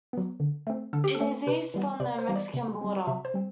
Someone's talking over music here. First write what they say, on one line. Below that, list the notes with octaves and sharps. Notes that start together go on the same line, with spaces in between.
It is east from the Mexican border.
F#3 B3
D3
A3 C4
D3 A4
G4
A4
A3 C4
C3 B4
E3 G3 B3
C3 D5
C5
E3 G3 B3
D5
C3
G3 C4
C3 E5
C5
G3 C4